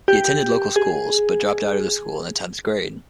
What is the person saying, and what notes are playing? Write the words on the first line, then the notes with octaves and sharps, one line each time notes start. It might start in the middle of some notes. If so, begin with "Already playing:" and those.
He attended local schools, but dropped out of school in the tenth grade.
G4
G#4